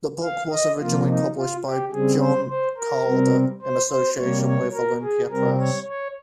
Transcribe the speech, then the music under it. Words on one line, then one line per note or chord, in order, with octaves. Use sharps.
The book was originally published by John Calder in association with Olympia Press.
F5
D#5
C3 F3 A#3 F4
D#4
F4
G4
C#3 G3 C4 G#4
C5
C5
A#4
C3 G3 C4
C5
C5
C3 G3 A#3 C#5
C#5
A#4
G#4
C3 G3 C4 A#4
C#5
C#5